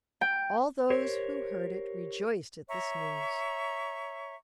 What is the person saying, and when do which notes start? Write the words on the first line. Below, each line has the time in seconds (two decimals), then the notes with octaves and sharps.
All those who heard it rejoiced at this news.
0.21 G5
0.90 G4 A#4 C5 C#5
2.69 C#5 E5 A#5 C#6